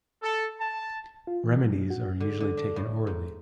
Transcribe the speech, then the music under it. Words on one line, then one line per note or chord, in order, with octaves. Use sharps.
Remedies are usually taken orally.
A4
A5
F4
E3
F#3
F#4
D3
D3
D4
A2
G#2